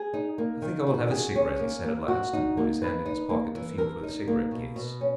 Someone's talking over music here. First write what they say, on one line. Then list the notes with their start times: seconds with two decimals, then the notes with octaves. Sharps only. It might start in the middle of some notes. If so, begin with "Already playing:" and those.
"I think I will have a cigarette," he said at last, and put his hand in his pocket to feel for the cigarette-case.
Already playing: G#4
0.14 D#4
0.38 A#3
0.62 D#3
0.87 F#4
1.11 G#4
1.36 C#4
1.60 A#3
1.84 A#3
2.08 F#4
2.33 D#4
2.57 A#3
2.82 B4
3.06 D#4
3.30 A#3
3.55 E3
3.78 A#4
4.03 D#4
4.28 A#3
4.51 B2
4.76 B2
5.01 C#4